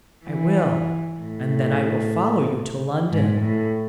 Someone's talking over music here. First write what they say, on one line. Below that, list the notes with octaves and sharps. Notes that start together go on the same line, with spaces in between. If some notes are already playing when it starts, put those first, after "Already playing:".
I will;--and then I will follow you to London.
E3
A2
G#2
A2